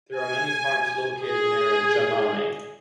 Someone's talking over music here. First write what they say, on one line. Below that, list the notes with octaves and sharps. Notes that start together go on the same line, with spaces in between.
There are many farms located near Jamame.
G#5
G#4